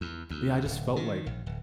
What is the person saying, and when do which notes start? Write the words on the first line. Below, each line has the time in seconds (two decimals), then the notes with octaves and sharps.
but, yeah, I just felt I
0.01 E2
0.30 D2
0.65 D1
0.96 D#3
1.26 A#1
1.46 D1